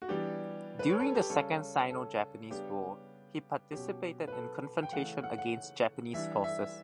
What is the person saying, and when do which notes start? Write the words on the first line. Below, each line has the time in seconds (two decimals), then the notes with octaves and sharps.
During the Second Sino-Japanese War, he participated in confrontation against Japanese forces.
0.02 F#4
0.08 E3 G3 B3 D4 G4
0.79 B4
0.89 C#5
1.00 A4
1.15 G4
1.30 C#3 G3 C#4 A4
1.90 A4
2.50 C#3 G3 B3 D4 G4
3.72 B2 F#3 C#4 G4
4.27 B4
4.32 A4
4.83 G5
4.92 C#3 E3 A3 F#5
5.23 F#5
5.38 F#5
6.13 E3 G3 D4 E5
6.44 E5